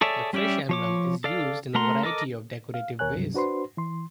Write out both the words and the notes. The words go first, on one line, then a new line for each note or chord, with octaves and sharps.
The fish emblem is used in a variety of decorative ways.
G#4 A4 C#5 D5 E5
G3 C#4 G4 D5 E5
F3 C#5 D6
A4 D5 F5
A3 A#4 F#5 A#5 C6
A4 A#4 D#5 D6
F5
D#2 A#4 C#5 G#5 F#6
C#2 G2 C3 F#3
D4 F#4 B4 C5 C6
E3 C6